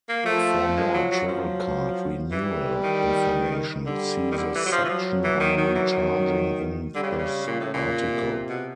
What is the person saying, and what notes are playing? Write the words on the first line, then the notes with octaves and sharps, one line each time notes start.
For more Travelcard renewal information, see the section on Recharging in this article.
A#3
F3 A3
G#3
F#3
F#3
F3 F#3
E3 G3
D#3
D3 G3
D#3
D3
E3
F#3
F3
E3
F3 F#3
E3
D#3
D#3
E3
D#3
D3 G3
C#3
C3
C#3
A#2 C#3
A2
A#2
C3
B2